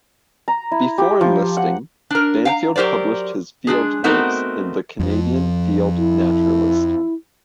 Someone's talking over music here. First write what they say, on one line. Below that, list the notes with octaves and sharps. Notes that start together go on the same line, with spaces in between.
Before enlisting Banfield published his field notes in the "Canadian Field Naturalist".
A#5
E4
G4
F3
F#5
D4 A#4
F5 G5 A#5
F#3 G4 A#4 C5 D5
G#3 D4 G#4
A3 B3 C4 D#4 F#4 A#4
F2 F3
E4